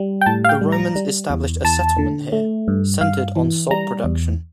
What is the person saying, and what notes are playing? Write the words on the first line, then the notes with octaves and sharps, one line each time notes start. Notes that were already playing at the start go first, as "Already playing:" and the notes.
The Romans established a settlement here, centred on salt production.
Already playing: G3
G5
A2 A5
F5
G5
G3
A#5
G3
E2
E2 A5
D3
A3
G2
G2 F5
E3
G3 A#5
E2